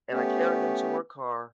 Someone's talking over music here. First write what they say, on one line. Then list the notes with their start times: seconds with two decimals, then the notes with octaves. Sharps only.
and I carried them to her car
0.11 A3 B3 C#4 G4